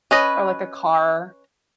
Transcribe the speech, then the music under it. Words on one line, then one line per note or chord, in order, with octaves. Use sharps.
or, like, a car.
C#4 B4 D#5